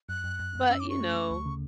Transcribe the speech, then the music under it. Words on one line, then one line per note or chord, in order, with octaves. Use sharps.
but you know,
F#2 F#6
F#2
F#2
F#2
C#4 E6
D6
C#4 C#6
A3
A3
D2
C#3